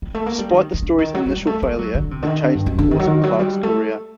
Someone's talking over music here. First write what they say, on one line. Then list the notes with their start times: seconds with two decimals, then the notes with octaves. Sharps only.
Despite the story's initial failure, it changed the course of Clarke's career.
0.02 G3
0.14 A3
0.26 A#3
0.38 G3
0.50 D#3
0.74 D#3
0.83 D3
0.98 D#3
1.14 F#3
1.26 F#3
1.30 G3
1.47 A3
1.62 A3
1.79 F#3
1.95 D3
2.11 C3
2.23 D3
2.27 D#3
2.43 D3
2.55 G2
2.66 F#2
2.79 D3
2.91 D#3
2.99 F#3
3.07 D#3
3.23 F#3
3.39 G3
3.63 A3